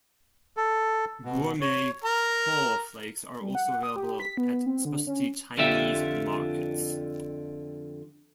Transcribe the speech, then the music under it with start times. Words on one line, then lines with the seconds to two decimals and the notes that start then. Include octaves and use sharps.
Gourmet haw flakes are also available at specialty Chinese markets.
0.57 A4
1.25 B2
1.61 C#5
2.04 A#4 A#5
3.41 G3
3.55 F#5
3.83 D#6
3.96 G4
4.20 B6
4.37 B3
4.66 C4
4.85 D3
5.07 C#4
5.57 F2 D3 F3 F4 G4 E5